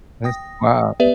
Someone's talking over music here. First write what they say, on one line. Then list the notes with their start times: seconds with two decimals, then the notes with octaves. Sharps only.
That's wild.
0.24 G5 D#6 A#6
1.00 B3 G4 B4 D5 E5